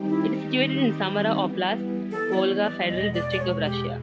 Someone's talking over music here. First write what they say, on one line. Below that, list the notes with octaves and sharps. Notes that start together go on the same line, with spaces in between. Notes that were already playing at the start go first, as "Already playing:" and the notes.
It is situated in Samara Oblast, Volga Federal District of Russia.
Already playing: D#3 G3 C4 D#4 G4
E4
E3 G3 B3
A4
D5
C#5
D5
E2 B2 G#3 D#5
D5
D5
C#5
G4